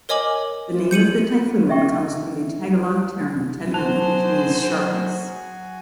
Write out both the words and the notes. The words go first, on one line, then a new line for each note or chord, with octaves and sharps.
The name of the typhoon comes from the Tagalog term "Talim", which means 'sharpness'.
A#4 C#5 D#5 G#5 D6 F#7
G6 C#7 D#7 F#7
D#5 E5 G5 C#6
F#3 F#4 G#4 C5 G#5 A5 F#6 F7